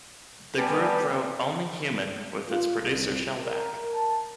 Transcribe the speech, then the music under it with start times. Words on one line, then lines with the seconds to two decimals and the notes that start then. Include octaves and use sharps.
The group wrote "Only Human" with its producer Shellback.
0.58 G3 B3 B4 D5 G#5 A5
2.49 F4
2.79 C2
3.40 A#4
3.91 A5